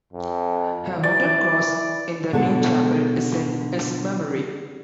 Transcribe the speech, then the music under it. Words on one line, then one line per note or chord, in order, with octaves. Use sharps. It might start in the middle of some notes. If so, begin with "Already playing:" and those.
A wooden cross in the New Chapel is in his memory.
F2
E3 D5
B2 D3 G#3 A4